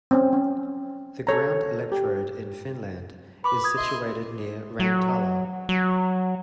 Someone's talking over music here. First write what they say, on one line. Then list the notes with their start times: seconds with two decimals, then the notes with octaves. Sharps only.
The ground electrode in Finland is situated near Rantala.
0.11 C4 C#4
0.33 C#4
1.27 A4 C#5 A#5
1.92 G4
3.44 B4 B5 D6
3.64 D#6 G#6
3.77 D#5 E5 C6
4.80 F#3
5.69 F#3